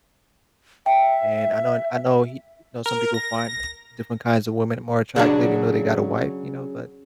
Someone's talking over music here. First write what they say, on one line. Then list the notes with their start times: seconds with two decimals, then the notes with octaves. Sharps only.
And I known and I know he you know, some people find different kinds of women more attractive even though they got a wife, you know? But,
0.86 E5 G5
2.86 A#4
3.14 A#6
5.16 C#3 F#3 D4